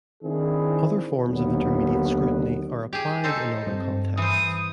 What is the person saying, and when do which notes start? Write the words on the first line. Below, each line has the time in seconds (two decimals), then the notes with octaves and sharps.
Other forms of intermediate scrutiny are applied in other contexts.
0.23 D#3 C4 D4 E4 G#4
1.27 D#2 D3 F#3 B3
2.93 G4 G#4
3.24 D#4 A4 C5
3.66 G2 C4
4.17 E3 C5 D#6